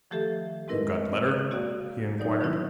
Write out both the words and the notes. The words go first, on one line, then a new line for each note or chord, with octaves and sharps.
"You got letter?" he inquired.
D#3 F3 A3 G4 A4 E5
G#3 C4 E4 A#4 B4 D#5
A#3 F#4 G#4 D5 F5 G5
F#3 D#4 D5 G6
D#3 F3 F#3 C4 D4 E4